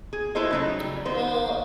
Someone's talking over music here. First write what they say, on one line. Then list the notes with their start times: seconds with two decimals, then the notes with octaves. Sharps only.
Mm, well,
0.13 G#4
0.35 E4 F#4 A4 C5 D#5
0.51 C#3 F#3 D#4
0.80 G3
1.05 D#3 B3 C5